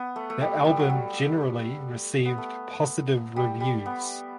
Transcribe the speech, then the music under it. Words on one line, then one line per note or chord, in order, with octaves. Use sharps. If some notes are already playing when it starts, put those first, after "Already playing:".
The album generally received positive reviews.
Already playing: B3
A3
A3
G3
G3
F#3
G3
B3
A3
G3
G3
B3